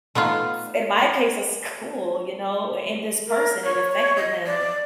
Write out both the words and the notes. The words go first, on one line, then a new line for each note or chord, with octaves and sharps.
f in my case, a school, you know, and this person, it affected him,
A3 B3 D#4 F4
A#4
C#5
D#5
D5